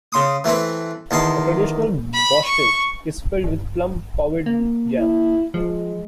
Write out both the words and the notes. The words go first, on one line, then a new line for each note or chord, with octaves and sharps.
The traditional Buchtel is filled with plum Powidl jam.
C#3 C6 D#6
E3 A3 C4 B4
E2 D#3 A5 C6
B5
C#6
G1
A#3
E4
F3 G#3